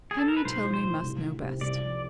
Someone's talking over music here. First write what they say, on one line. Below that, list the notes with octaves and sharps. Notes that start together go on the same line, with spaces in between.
Henry Tilney must know best.
G#4
A4
A#4
B4
B1 C5
F3
C5
A2
C2
E3
C3
C2 D5
F3